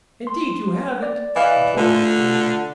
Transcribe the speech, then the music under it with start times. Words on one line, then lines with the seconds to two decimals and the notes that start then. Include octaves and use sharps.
"Indeed you haven't!" retorted the Queen.
0.27 C6
1.03 D5
1.36 E3 D5 D#5 F5
1.77 D3 A3 F4